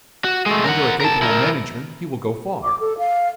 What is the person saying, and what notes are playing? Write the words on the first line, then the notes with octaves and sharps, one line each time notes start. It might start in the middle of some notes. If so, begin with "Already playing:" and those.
Under a capable management he will go far.
F#4
G#3 A3
A#4 F#5
A#4 A5
E4 A#4
D6
A4
F5